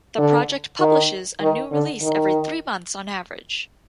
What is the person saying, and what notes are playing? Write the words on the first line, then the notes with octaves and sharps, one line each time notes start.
The project publishes a new release every three months on average.
D3
D#3
D#3
D3
D#3